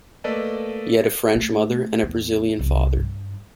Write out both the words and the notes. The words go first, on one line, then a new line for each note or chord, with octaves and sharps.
He had a French mother and a Brazilian father.
A3 A#3 A4 B4 D5 D#5
A3
E2
C2
G2